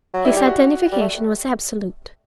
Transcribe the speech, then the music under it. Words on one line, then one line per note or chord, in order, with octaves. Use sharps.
His identification was absolute.
F#3
G3 E4
G4
F#4
G3
A3